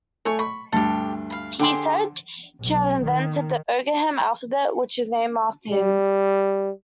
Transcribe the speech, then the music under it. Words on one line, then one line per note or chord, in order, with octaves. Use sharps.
He is said to have invented the Ogham alphabet, which is named after him.
A3 C#5 G#5 C#6
B5 C#6
D2 G2 G4 A4
F5 B5
D3 G4 G#4 G5 C6
B1
D#3
G3